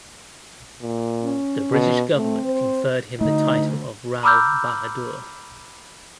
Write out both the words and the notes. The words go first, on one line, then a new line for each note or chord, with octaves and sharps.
The British government conferred him the title of Rao Bahadur.
A#2
C#4
B2
A3 C4
C5
D3 A3 D#4
A#5 B5 D6 E6 F6 G6